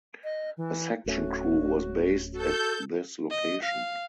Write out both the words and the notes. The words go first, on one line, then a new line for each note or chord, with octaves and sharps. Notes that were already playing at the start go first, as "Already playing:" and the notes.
A section crew was based at this location.
D#5
E3
D1 A3 C#4 F#4
F#4 A4 G6
D#5
F5